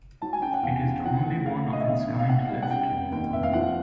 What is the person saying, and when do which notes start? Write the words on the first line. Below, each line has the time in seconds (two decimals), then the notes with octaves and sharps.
It is the only one of its kind left.
0.22 F#3 A5
0.33 G#5
0.42 C#3 G5
0.54 F#5
0.63 E2 F5
0.84 C#3
1.05 F3 F#5
1.26 A3
1.46 A3 F5
1.68 A#1
1.73 D#5
1.80 E5
1.88 B1 F5
2.09 B1
2.19 F5
2.29 B2 F#5
2.51 G3
2.62 F#5
2.71 C#3 G5
2.91 F1
3.12 D#2 G5
3.33 F1 E5
3.43 F5
3.53 F3 F#5